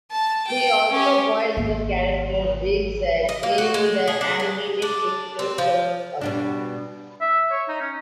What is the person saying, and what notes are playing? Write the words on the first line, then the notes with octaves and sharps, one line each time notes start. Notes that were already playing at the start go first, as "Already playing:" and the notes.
He also voiced the character Big Z in the animated picture "Surf's Up".
A5
G5
C#4 G4
G#1 A#3
D#5
A#3
F#4
G#3
G#4
D4
G#4
D4
C4
F3
B2 G3 D4
E5
C#5
D#4
C#4